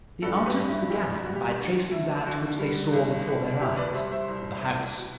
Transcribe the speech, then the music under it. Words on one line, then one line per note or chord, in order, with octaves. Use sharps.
The artists began by tracing that which they saw before their eyes--the house.
G2 F#4 A4
G4 B4
G2
E4 G4
E3 E4 G4
G3 F#4
G4
F#4
D2 F#4
D2 E4
D3 F#4
G3
C2
C2
B2 E4 G4
B4 D5
G3 C5 E5
C5 E5
C2
C2
B2